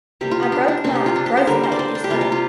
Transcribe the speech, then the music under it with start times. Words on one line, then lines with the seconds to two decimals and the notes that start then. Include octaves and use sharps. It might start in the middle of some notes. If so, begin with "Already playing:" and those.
I broke my growth plate, is what I
0.21 C3 G3 A#3 G4
0.31 F4
0.43 G4
0.52 D4
0.68 D4
0.84 C3 A#3 C4
0.96 G4
1.06 F4
1.16 D4
1.26 G4
1.37 C5
1.47 D3 G3 A#3 A#4
1.64 C5
1.72 D5
1.79 C5
1.95 D4
2.04 G4
2.10 C3 G3 A#3 F4
2.21 G4
2.32 F4